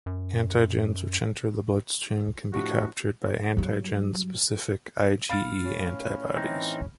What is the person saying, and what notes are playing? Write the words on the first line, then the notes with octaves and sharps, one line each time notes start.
Antigens which enter the blood stream can be captured by antigen specific IgE antibodies.
F#2
A2 F3 D4 F#4 G4
G2 F#3
F5 B5 F6 A6 D7
A2 C#4
E3 C4 D#4